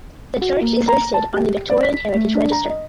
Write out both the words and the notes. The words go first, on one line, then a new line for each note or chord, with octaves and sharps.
The church is listed on the Victorian Heritage Register.
F#4
A#3
A#5
A5
G4
D5
B6
A3
D4
A#5
D#5